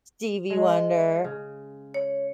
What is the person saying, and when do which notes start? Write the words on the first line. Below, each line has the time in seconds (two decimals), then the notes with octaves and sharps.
Stevie Wonder.
0.50 G#3
1.24 C#3
1.94 C#5